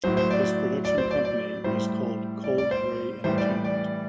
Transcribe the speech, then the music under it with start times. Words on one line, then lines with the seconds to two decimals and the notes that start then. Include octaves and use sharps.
His production company is called Cold Grey Entertainment.
0.04 A2 F#3 C5
0.17 C5
0.30 D5
0.85 D5
0.98 C5
1.11 D5
1.25 D5
1.64 A2 G3 C5
2.44 D5
2.58 D5
2.71 C5
3.24 A2 E3 G3 C5
3.38 D5
3.64 D5